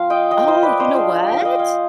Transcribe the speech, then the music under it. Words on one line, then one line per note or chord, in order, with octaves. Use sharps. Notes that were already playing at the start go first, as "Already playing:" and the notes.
Oh, you know what?
Already playing: F3 C4 F4 F5
D#5 G5
D#5 G5
C5 D#5
B4 D5
C5 D#5
F3 G#3 D4 F4 D5 F5
G5
F5
D#5 G5
F5 G#5